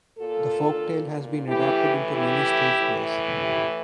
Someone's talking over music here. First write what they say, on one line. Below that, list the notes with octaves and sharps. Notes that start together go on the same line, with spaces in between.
The folktale has been adapted into many stage plays.
A#2 F4 A4
A2 E3 E4 G4
E4 G4
A2 E3
E4 G4